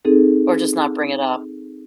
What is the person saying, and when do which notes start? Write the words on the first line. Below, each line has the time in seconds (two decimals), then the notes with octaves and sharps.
Or, just not bring it up.
0.05 C4 D#4 G#4 A4